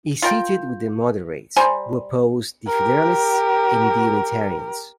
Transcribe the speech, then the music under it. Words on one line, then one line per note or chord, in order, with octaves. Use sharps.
He seated with the Moderates, who opposed the Federalists and the Unitarians.
F4 A#4 G5
G3 C5 G#5 A#5
G4 A#4